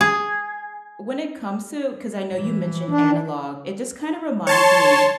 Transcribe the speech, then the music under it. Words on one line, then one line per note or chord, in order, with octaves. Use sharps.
when it comes to 'cause I know you mentioned analog, it just kinda reminds me,
G#4
E3
D4
C#5 A5 C6